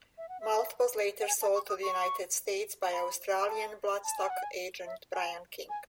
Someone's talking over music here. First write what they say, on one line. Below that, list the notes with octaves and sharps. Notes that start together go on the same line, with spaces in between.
Malt was later sold to the United States by Australian Bloodstock agent Brian King.
E5
F#5
E5
F#5
G#5
A5
C#6
D#6
C#6
B5
A5
A5
G#5
F#5
G#5
E5
G#5
G#5